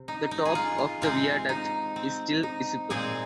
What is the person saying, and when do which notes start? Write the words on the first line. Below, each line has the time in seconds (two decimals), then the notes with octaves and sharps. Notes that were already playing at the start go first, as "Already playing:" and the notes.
The top of the viaduct is still visible.
Already playing: C3 C4
0.08 D#4
0.31 D#4
0.45 G#4
0.55 F4
0.78 F4
1.02 C3 G#3 C4 F4
1.49 D#4
1.96 C4
2.43 D#4
2.90 A#2 G#3 C4 G#4